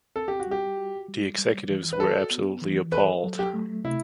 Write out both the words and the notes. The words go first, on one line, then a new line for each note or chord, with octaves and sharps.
The executives were absolutely appalled.
C4 A4
G4
F#4
G3
G4
F#4
G3
G3
E3
B4
F#4 A4
B3
E3
A4 B4
F#3
G4
A3
C3 E4